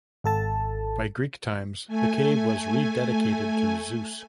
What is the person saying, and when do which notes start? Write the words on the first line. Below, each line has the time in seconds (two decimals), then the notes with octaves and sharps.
By Greek times the cave was rededicated to Zeus.
0.24 G#1 A4 A5
1.87 A3 G#5